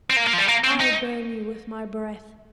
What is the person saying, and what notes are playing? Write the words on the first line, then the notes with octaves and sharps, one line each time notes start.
I burn you with my breath!
C4
A#3
A#3
F3
G3
A#3
C4
D#4